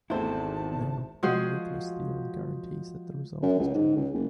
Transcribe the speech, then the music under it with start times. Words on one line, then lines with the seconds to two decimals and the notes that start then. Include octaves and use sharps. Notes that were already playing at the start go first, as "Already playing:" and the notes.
Now, the uniqueness theorem guarantees that the result is general.
0.10 G#1 E2 A3 C4 E4 C5 A5
1.23 F3 G#3 F#4 G#4 C5
3.42 F#2
3.59 C#2
3.74 G#2
3.97 C#2
4.14 F#1